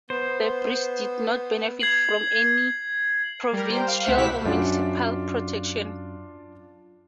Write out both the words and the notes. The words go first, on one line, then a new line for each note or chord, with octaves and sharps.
The bridge did not benefit from any provincial or municipal protection.
B3 C5
G#6 C7 F#7
G3 A#4
C5 G5
F5
C#2 A3 C5 E5 F#5
B2 E4 G4 E5 B6
F#2 D4 F4 D5